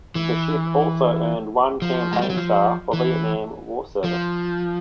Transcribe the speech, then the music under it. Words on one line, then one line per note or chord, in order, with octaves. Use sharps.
The ship also earned one campaign star for Vietnam War service.
E3
F3
G#3
G3
F#3
F3
E3
F3